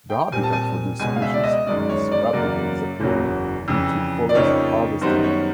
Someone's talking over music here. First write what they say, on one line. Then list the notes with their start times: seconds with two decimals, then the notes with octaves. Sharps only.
The habitat for this species is rapidly disappearing due to forest harvesting.
0.10 G5
0.32 A#2 G3 C4 G#5
0.43 A5
0.53 G#5
1.00 C#2 B2 G#3 C#4 G#5
1.16 F5
1.22 E5
1.34 D5
1.44 D#5
1.66 G1 F#2 D#3 G#3 C#4 D5
1.89 C#5
2.11 D5
2.33 F#2 C#3 F#3 A#3 D5
3.00 F#1 E2 C#3 F#3
3.68 F2 C#3 E3
4.29 D5
4.34 F2 C#3 F3 A#3 D#4 C#5
5.01 F#2 D#3 G3 B3 C5
5.24 C#5